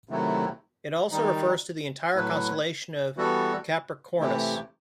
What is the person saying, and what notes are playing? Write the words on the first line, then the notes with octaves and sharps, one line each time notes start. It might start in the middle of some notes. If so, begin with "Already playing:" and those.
It also refers to the entire constellation of Capricornus.
C3 D#3 F#3 A3 E4
D#3 G3 D#4
A2 F#3 A3 E4 B4
E3 G3 B3 F#4 A4
C3 E3 A3 E4 G4